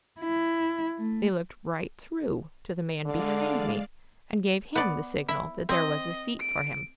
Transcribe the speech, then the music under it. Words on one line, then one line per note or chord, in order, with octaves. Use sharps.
They looked right through to the man behind me, and gave him the signal that there was a seat for him.
E4
A3
D3 G#3 D5 F5
B3 D5
E4
C4 D#5
D7